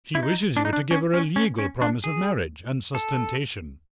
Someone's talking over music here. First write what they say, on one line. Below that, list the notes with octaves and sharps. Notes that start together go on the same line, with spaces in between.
"She wishes you to give her a legal promise of marriage, and sustentation."
E4
D#4
D4
D#4
D4
C#4
C#4
C#4
C#4
D4
G#4
A4